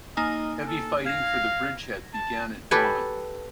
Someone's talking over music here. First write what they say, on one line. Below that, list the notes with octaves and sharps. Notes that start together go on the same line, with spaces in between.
Heavy fighting for the bridgehead began at dawn.
A#3 D#4 D#5 G#5
A4
F5 G#6 A#6
A5
G4 A4 B4 G#5